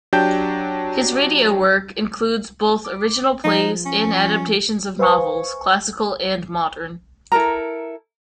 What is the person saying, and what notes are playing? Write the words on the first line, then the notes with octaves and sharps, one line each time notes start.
His radio work includes both original plays and adaptations of novels, classical and modern.
F#3 D4 G4 G5 A5 G6
D6
F3 D#4
C#4
B4 C5 F5 G#5 C#6
E4 A4 A#4 A#5